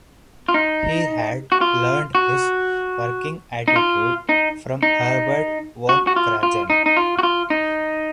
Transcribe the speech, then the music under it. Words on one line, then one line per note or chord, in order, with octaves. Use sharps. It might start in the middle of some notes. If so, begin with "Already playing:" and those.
He had learned his working attitude from Herbert von Karajan.
F4
D#4
F#4
F4
F#4
D#4
F4
D#4
D#4
F#4
F#4
F4
F4
D#4
D#4
F4
F#4
F4
D#4